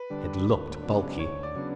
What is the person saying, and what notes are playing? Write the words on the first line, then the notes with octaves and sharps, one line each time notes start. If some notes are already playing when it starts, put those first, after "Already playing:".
It looked bulky.
Already playing: B4
D3 G3 D4
D2
C#3 F#3 B3 D4
D2 C#5
D5
C#3 F#3 B3 D4